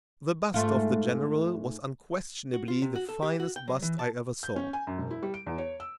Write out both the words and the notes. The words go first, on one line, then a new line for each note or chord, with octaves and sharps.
The bust of the General was unquestionably the finest bust I ever saw.
G#2 A3 F4
F#4
F4
C3
F#4
A4
G4
F#4
G5
F#3
E3
A5
G6
C#4
G#5
F#2
E1
E4
G3
D7
E2
C#5
E6